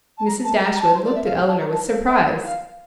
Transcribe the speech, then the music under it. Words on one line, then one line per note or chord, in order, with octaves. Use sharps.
Mrs. Dashwood looked at Elinor with surprise.
A5
A#5
A5
A#5
A#5
A5
C5
D5
E5
F5
G5
A5
A#5
A5
F5
E5
F5